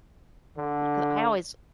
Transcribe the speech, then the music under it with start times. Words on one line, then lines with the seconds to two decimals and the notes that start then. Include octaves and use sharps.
because I always
0.57 D3